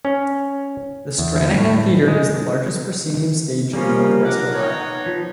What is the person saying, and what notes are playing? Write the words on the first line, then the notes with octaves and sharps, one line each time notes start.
The Stranahan Theater is the largest proscenium stage in Northwest Ohio.
C#4
E2
A2
G#3
C#3 F3 G3 A#3 C#4 F4
D4 A#4 F#5 D6
B3 D#4 C#5
F3